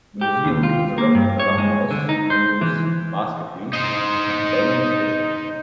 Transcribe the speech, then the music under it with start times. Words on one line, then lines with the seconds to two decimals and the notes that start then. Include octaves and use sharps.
The museum includes a replica longhouse, canoes, basketry and whaling and fishing gear.
0.21 G4
0.45 D#2
0.63 F4
0.98 A#3
1.15 G2
1.40 C#5
1.58 G#3
1.91 D3
2.09 D#4
2.30 C5
2.61 E3
3.73 D#4 C5